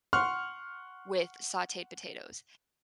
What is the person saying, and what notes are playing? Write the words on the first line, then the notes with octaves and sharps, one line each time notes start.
with sauteed potatoes,
F#5 C6 C#6 F6 F#6